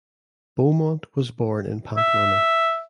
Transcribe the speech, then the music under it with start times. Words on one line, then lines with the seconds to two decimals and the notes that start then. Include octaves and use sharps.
Beaumont was born in Pamplona.
1.97 E5